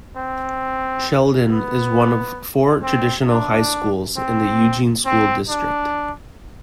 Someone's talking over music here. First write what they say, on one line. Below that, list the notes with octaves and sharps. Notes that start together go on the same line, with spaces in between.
Sheldon is one of four traditional high schools in the Eugene School District.
C4
B3
C4
D4
C4
C4
D4